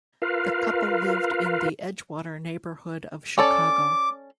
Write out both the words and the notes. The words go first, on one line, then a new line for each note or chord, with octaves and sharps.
The couple lived in the Edgewater neighborhood of Chicago.
F4 A#4 B4 F5
C#4 A4 D5 D6